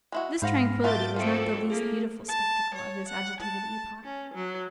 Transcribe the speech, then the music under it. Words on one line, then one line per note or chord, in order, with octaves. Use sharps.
This tranquillity was not the least beautiful spectacle of this agitated epoch.
G#3 E4 F#4
G#2 C5 F5 F#5 B5 F6 A#6
F4 F#4 E5 A5 D6 F6 G6 A6
F2 F#3 A3 F4 A4 A#4 D7
A#3 G#4 A4
A5
C#5
F#5
A5
C#4
F#3